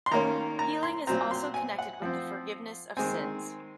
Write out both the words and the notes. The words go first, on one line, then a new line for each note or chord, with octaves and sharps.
Healing is also connected with the forgiveness of sins.
C6
D#3 A#3 C#4 A#5
A#5
C6
A#2 F#3 C4 A#5
C6
G#5
F#5
F3 C4
D#3 G#3 C4 G#5